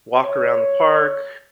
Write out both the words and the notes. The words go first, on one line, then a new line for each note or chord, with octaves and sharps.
walk around the park,
C#5